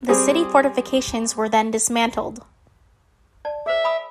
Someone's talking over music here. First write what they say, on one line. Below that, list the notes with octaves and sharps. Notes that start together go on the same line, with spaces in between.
The city fortifications were then dismantled.
G3 C4 G#4
D5 A5
G#4 C5 E5
G#5 B5 D#6